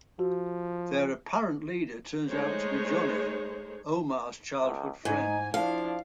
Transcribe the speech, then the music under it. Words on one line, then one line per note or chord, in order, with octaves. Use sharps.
Their apparent leader turns out to be Johnny, Omar's childhood friend.
F3 F#4
G#3 A3 D#4 C5 C#5
C#2
G#2 D#4 G#5
F3 D4 E4 F5